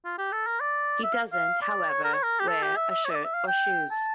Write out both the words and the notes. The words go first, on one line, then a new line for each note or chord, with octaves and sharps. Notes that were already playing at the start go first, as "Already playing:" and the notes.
He doesn't, however, wear a shirt or shoes.
F4
G4
A4
A#4
D5
E5
F5
F5
D5
C#5
A#4
C#5
A#4
G4
A4
G4
E5
E5
C#5
E5
D5
E5
F5
G5
A5